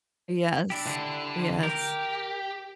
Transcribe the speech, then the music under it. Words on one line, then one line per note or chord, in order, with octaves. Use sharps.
Yes. Yes.
D4 E4 G4
D3
G4 A#4